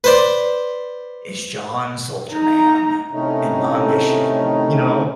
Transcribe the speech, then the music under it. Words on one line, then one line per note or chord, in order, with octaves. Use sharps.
is John Soldier Man and my mission" you know,
B4 C5 D5
D#4 A#5
A2 C3 D#3 A3 C#4 D#4